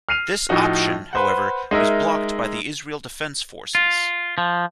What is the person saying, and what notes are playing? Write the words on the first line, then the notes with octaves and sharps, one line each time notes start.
This option, however, was blocked by the Israel Defense Forces.
F6 C7 D#7 F7
A2 F3 D#4 F#4
B4 C5 F#5
G#3 D#4 A#4 E5
F4
F3